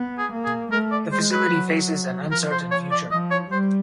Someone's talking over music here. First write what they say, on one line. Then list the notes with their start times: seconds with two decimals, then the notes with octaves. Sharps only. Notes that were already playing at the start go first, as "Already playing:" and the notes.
The facility faces an uncertain future.
Already playing: B3
0.18 G#4
0.32 A#3
0.45 G#4
0.72 A3 A#4
0.91 D5
1.12 G#3 C5
1.32 B4
1.51 F#3
2.31 F3 A#4
2.51 C5
2.71 C#5
2.91 D5
3.11 F3 D#5
3.31 C#5
3.51 G3 C5